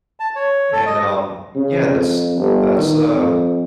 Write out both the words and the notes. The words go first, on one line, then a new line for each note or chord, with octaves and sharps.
And, um, yeah, that's that's, uh
A5
C#5
A4
D#5
C#3
F2
G1
D#3
F2